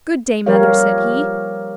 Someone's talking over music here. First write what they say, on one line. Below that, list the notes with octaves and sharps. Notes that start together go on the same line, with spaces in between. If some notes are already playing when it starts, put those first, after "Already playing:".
'Good day, mother,' said he.
F3 G3 G4 A#4 C#5 F5